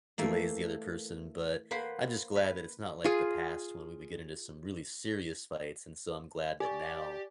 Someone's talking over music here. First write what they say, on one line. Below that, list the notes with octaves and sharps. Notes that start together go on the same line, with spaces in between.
delays the other person, but I just glad that it's not like the past when we would get into some really serious fights, and so, I'm glad that now,
E3 A3 A#3
A#3 B4 C5 F#5 B5
B4
F4 G#4
G4 D5 G#5 C#6